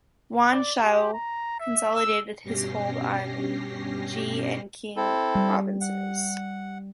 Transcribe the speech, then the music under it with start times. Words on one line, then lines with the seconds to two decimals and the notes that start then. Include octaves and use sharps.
Yuan Shao consolidated his hold on Ji and Qing provinces.
0.52 D5
0.82 G4
1.14 A#5
1.60 E5
1.95 E6
2.43 G2 B2 C#4 G4 A#6 C7
4.97 C4 E4 A4
5.35 G3
5.81 F#5